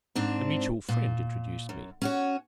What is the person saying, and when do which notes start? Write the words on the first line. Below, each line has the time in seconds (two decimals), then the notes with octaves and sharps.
A mutual friend introduced me.
0.15 G#2 C4 D4
0.89 A#2
1.69 F#2
2.02 C#4 F#4 C#5